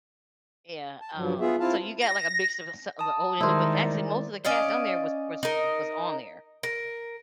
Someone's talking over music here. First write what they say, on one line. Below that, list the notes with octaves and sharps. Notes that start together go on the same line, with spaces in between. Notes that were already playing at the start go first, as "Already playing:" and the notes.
yeah, um, so you got, like, a mix of a sa of the old and new, but actually, most of the cast on there was was was on there,
A5
G2 F3 F#3
B3 F4 G#4 E5
C4 E4 F4 F5 A5
A#6
A5 D#6
D#3 G3 G#3 E4 A#4 C5
D5
C#4 D5 D#5 F5
D#4 A#4
A#4